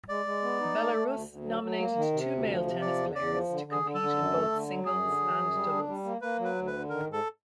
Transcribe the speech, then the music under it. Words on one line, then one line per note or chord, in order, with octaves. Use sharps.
Belarus nominated two male tennis players to compete in both singles and doubles.
G#3 D5
G#3
B3
D#4
A3
A3
D2
D2
F#3
F#3
A#3
D#3
C3
D2
F3
C3
F3 D5
E2
E2 D5
F3
D3
D3
G#4
D3
A4
D3
F#2
A3
D3
F#3
F#2 G#4
D3
F#3
F#2
G3
D4
G3
A#3
A#3 B4
F#3
B4
D2
B4
D3
D#3 A#4
G#2
A4